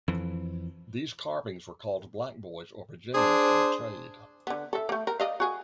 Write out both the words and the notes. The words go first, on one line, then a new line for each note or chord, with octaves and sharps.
These carvings were called "Black Boys" or "Virginians" in the trade.
F2 E3
D4 G#4 C5
D3 B3
A4 E5
A3 A#3
A#4
D5 D#5 F5
F#4 G#4